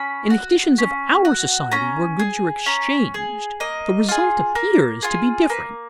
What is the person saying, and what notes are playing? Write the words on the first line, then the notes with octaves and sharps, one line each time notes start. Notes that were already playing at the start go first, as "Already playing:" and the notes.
In the conditions of our society, where goods are exchanged, the result appears to be different.
Already playing: C#4 B5
F#4
C#4
F#4
C#4 A#5
G#4
C#4 A#5
G#4
A#3 D#5
F4 G#4
A#3
F4 G#4
A#3 B4